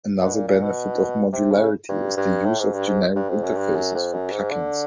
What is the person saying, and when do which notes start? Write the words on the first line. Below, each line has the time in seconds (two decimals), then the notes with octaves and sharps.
Another benefit of modularity is the use of generic interfaces for plug-ins.
0.21 B2
0.34 A#2
0.48 A#2
0.63 B2
1.33 C3
1.51 C#3
1.89 G2
2.17 G2
2.45 A2
2.59 G#2
2.73 G2
2.87 G#2
3.16 G2
3.29 F2
3.43 F#2
3.57 G2
3.76 F#2
3.95 F2
4.13 F#2
4.32 G#2
4.51 D3